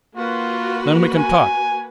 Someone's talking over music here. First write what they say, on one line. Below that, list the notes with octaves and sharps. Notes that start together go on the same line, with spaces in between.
Then we can talk.
A#3 F4 F#4 B4
G#5